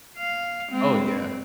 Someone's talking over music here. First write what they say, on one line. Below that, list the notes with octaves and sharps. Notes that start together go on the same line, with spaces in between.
Oh, yeah.
F5
G#3 C4
C4